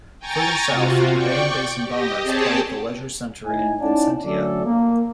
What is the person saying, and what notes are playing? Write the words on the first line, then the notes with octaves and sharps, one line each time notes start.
Further south, the Bay and Basin Bombers play at the Leisure Centre at Vincentia.
G5 G#5 A#5 C#6 A6
C3 F4 F#4
D5 G5 C#6
G4 D#5
C4 G4 G#4 C#5 D5 A5
A2 D#4 G#5
C#4 D#4 E4 D5 F#5 A5
D3 F#3 A3 C#4 A4 D5
A#3